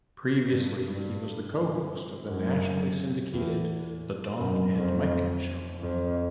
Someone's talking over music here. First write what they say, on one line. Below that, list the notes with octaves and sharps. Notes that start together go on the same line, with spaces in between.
Previously he was the co-host of the nationally syndicated "The Don and Mike Show".
G2
G2
F#2
E2
F#2
F2
F2